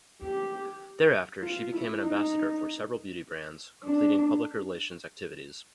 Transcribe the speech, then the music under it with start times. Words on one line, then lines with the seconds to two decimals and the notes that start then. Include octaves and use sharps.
Thereafter she became an ambassador for several beauty brands, completing public relations activities.
0.21 G4
1.42 F4
1.72 E4
2.03 D#4
3.84 D4